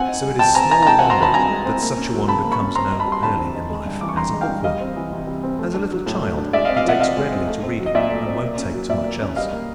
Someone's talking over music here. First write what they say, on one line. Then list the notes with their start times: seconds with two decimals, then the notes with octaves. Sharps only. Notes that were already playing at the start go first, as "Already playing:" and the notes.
So it is small wonder that such a one becomes known early in life as a "book worm." As a little child he takes readily to reading and won't take to much else.
Already playing: C4 F#5 G#5
0.08 D#4
0.24 G3
0.39 B2 G5 A5
0.55 C4 G#5 A#5
0.71 D#4 G#5 A#5
0.83 A#5
0.86 G#3 G5 A5
0.99 C4 F#5 G#5
1.10 A#5 C6
1.18 D#3 A5 B5
1.34 G2 G#5 A#5
1.50 G#3
1.65 C4
1.82 A#3
1.97 C#4
2.13 F#3
2.28 C#3 A5 B5
2.44 A#3
2.52 B5 C#6
2.60 C#4
2.75 C4 A#5 C6
2.92 D#4
2.99 A5 B5
3.07 G3
3.12 C6
3.23 D3 A5 B5
3.39 C4
3.55 D#4
3.70 G#3
3.86 G2
4.01 E3 D6
4.09 C#6
4.17 G2 A#5 C6
4.33 G#3
4.41 F5 G5
4.48 G2
4.64 G3 D#5 F5
4.80 C4
4.96 E3
5.12 C3
5.27 G3
5.43 C4
5.59 A3
5.74 D4
5.90 F#3
6.06 A2
6.22 A3
6.37 D4
6.53 G#3 D5 E5
6.65 D#5 F5
6.69 C4
6.77 D#5 F5
6.85 F3 E5 F#5
7.00 C3 D#5 F5
7.17 G#3
7.32 C4
7.48 A3
7.63 C4
7.79 F#3
7.86 D#5
7.95 A#2 D5 E5
8.10 A3
8.26 C4
8.42 A#3
8.57 C#4
8.74 F#3
8.89 A#2 D5 E5
9.05 A#3
9.21 C#4
9.36 G3 D#5 F5
9.52 A#3